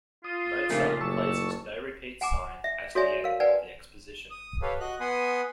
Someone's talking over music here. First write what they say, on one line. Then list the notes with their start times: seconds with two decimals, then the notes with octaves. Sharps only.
Mozart places no repeat signs at the end of the exposition.
0.25 F4 D#6
0.70 F1 A#2 C#3 A3 A#4
1.01 F#1 A5 C#6 E6
2.21 F#5 G#5 A#5 D6
2.64 E5
2.95 F#4 A4 C#5 D5 E5 G#5
3.24 A#4 F5
3.40 A#4 B4 D5 F#5 G#5 A5
4.30 D#6
4.62 G4 A4 B4 C#5 F5
4.80 F#4 D#5 F#6
5.00 B3 F#5 G#5 B5 C6 D#6